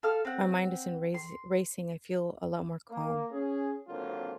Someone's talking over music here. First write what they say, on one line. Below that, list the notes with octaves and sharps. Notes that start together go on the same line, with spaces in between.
my mind isn't raci racing, I feel a lot more calm.
A4 F5 F6
C4 F#5
C6
A#3
C#4 G#4
G#1 D3 F#3 A#3 C4 F4